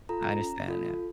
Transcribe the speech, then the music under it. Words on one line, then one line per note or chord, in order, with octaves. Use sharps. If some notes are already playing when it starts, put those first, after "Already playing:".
I understand that.
F4 A4 A#5
A#5
C#4
F4 A4